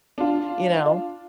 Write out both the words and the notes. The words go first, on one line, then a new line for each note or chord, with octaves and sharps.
you know?
D4 F4